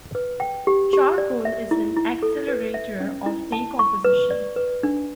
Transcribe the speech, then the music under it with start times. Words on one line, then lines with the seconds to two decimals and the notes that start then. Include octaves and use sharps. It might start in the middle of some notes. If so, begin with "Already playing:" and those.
Charcoal is an accelerator of decomposition.
0.15 B4
0.40 G5
0.67 G4
0.93 G4
1.18 D5
1.45 E5
1.71 E4
1.97 E4
2.23 A4
2.48 B4
2.74 E5
3.00 C#4
3.26 E4
3.52 A5
3.79 C#6
4.05 B4
4.31 D5
4.56 B4
4.83 D4